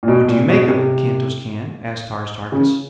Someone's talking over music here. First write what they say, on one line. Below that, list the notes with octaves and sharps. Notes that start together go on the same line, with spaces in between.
"What do you make of it, Kantos Kan?" asked Tars Tarkas.
A#2
B2
A#2
B2
C3
C#3